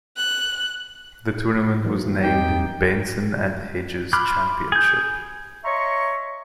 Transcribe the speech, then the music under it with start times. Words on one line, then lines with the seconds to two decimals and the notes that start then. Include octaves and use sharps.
The tournament was named Benson and Hedges Championship.
0.17 F#6
1.84 E3 F#3 A#3
2.23 E2 C4 D#4 G4 G5
4.13 B5 C6 D6 F6 F#6
4.72 G#4 G6
5.64 C#5 D#5 E5 A#5 C6 C#6